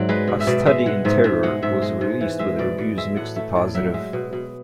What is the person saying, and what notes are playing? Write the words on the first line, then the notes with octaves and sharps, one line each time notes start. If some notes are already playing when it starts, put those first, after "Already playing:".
"A Study in Terror" was released with reviews mixed to positive.
Already playing: G#2 F#3 D5 E5
G#3 B4
B2
E5
B2 D5
G#3 E5
G#3 F#5
G#2 E5
G#2 E5
G#3 F#5
G#2 E5
G#3
G#2
E3
G#3 E5
B2 D5
B2 D5
G#3 E5
A2 F#5
A3 E5
A2 D5
F#3 E5
G#3 E5
B2
B2